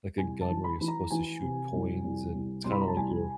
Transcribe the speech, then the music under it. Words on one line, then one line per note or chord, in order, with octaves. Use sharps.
like, a gun where you're supposed to shoot coins, and it's kinda, like, you're i
C2 G#5
A5
E3
B5
E3
A#5
E3 G#5
C3
C2
C2
C2
C2 C6
B5
A#5
A5
C2 G#5